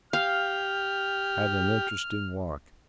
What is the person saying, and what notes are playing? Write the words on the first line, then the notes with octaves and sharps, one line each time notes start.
Had an interesting walk.
G4 F5 F6